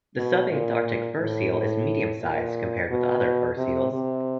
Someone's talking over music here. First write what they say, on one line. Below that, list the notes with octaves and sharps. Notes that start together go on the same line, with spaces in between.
The subantarctic fur seal is medium-sized compared with other fur seals.
B2
A#2
A2
A2
A#2
B2
C3
C3